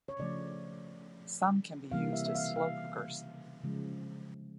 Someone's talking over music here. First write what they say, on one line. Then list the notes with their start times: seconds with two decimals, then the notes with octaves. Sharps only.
Some can be used as slow cookers.
0.09 C#5
0.19 C#3 F3 A3 D5
1.92 C3 E3 G3 A#3 F5
2.13 E5
2.26 E5
2.35 F5
2.56 F5
3.63 C#3 F3 G#3